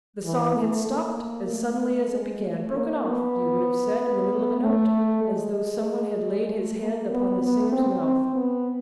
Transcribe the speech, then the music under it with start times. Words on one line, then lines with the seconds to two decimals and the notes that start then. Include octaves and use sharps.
The song had stopped as suddenly as it began--broken off, you would have said, in the middle of a note, as though someone had laid his hand upon the singer's mouth.
0.25 E3
0.56 A3
0.87 A#3
1.49 A3
2.11 G#3
2.43 A3
2.74 A#3
3.05 B3
4.61 A3
5.24 G#3
6.48 A3
6.79 A#3
7.10 B3
7.42 B3
7.72 C4
8.04 C4
8.35 B3